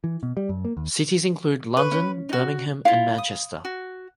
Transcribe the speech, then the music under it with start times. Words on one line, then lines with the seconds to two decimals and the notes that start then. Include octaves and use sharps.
Cities include London, Birmingham, and Manchester.
0.04 E3
0.23 B2
0.37 G3
0.49 F#2
0.65 A#3
0.77 D#2
1.77 B4 C#6
1.92 C#4
2.29 D#4 F#4
2.85 E4 F4 F5
3.18 D#6
3.65 F#4